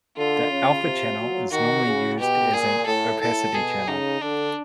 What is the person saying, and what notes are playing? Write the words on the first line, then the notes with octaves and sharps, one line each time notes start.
The alpha channel is normally used as an opacity channel.
D3 F4
C#3
C3
F#3
D#3 F#4
C#3
B2 G4
A#2 G#4
A2 A4
A2 A4
B2 G#4
C#3 D#4
D3 D4